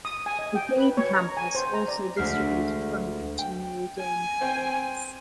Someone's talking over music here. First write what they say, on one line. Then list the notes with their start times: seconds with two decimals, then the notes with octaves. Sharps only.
The game campus also distributed funding to new game companies.
0.05 D#6
0.26 G#5
0.39 D#5
0.55 G5
0.77 B4
0.97 C#5
1.14 A#5
1.37 G#5
1.55 C5
1.74 A#5
1.88 D5
2.16 D2 G#3 E5 F6 C7
3.39 G5
3.99 G#5
4.41 C4 C5 G5